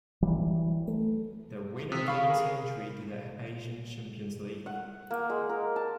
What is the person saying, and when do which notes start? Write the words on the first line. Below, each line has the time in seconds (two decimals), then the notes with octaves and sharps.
The winner gains entry to the Asian Champions League.
0.22 E3 F#3 G3
0.88 A3
1.92 C3 D#6
2.08 F5 B5 C#6
2.29 G#4 A#4
4.66 F#5
5.11 A#3
5.30 G#3
5.49 A#4
5.76 A5